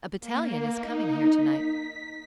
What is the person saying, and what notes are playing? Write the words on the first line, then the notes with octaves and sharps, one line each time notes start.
"A battalion is coming here to-night."
A#3
D#4
B6